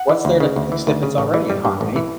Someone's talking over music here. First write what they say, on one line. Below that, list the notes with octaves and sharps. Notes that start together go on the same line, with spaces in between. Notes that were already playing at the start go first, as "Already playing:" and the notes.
What's there to fix, if it's already in harmony?
Already playing: F#5
E3
D2
C#3
D2
E3
D2
C#3
A1
E3
G3
G2
A1
E3